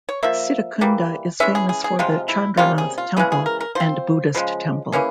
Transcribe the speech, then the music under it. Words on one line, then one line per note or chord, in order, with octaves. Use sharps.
Sitakunda is famous for the Chandranath Temple and Buddhist temple.
C#5
F3 A#3 E5
E3 G3 A#3
E3 G#3 C#4 E5
G#4
G#4
G#4
C3 F3 G#3 F4
E4
C3 G3 A#3 C#4 F4
G#4
F4
C#3 E3 G#3 C#4 G#4
G#4
A#4
A#4
F3 C4 C5
C#3 F3 G#3
E3 A#3 C#4 G#4